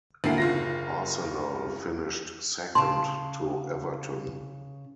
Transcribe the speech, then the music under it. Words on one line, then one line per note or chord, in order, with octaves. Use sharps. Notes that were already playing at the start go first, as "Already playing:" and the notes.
Arsenal finished second to Everton.
D2 A#3 E4 F#4 C7
F#1 F4 A#6
C#3 A5 C6